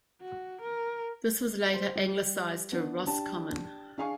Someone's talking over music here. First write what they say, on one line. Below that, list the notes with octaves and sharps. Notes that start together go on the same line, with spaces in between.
This was later anglicised to Roscommon.
F#4
A#4
C5
G3
B3 D4
D4 G4 A5
D4 G#4 F5 G#5 C#6